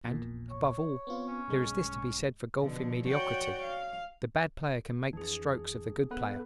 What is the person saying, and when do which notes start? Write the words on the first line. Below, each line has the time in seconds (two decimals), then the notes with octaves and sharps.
And, above all, there is this to be said for golfing mediocrity-- the bad player can make the strokes of the good player.
0.04 A#1 E2 A#2
0.50 C#5
1.07 B3 C4 F4
1.27 C#4
1.48 B1 G2 G#3
2.60 B2 D3 F3
3.07 F#4 C#5 D5 F#5 G5 C#6
3.62 F5
5.13 F2 E3 D4 G#4
6.11 B3 A4 B4